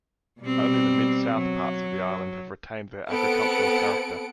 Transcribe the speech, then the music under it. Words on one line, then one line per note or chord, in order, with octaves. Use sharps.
Only the mid-south parts of the island have retained their agricultural character.
B2 G3 C4
F#3
B3 C4 A4 F#5 C#7 D7